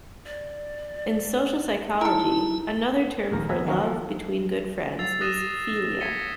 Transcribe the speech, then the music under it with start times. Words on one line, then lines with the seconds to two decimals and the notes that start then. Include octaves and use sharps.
In social psychology, another term for love between good friends is "philia".
0.26 D5
2.01 D#4 E4 A4 A#4
3.31 A#1 D#2 A#4 A#5
3.49 B3 E5 G#5 A#5
3.66 D#3 F#3 A#3 C#4 F#4 A#4
3.83 F3 A4
4.99 E6 A6 C7 F7
5.21 D#6 F#6 A#6 D#7 E7
6.00 G#6 A#6 B6 C#7 D#7 G7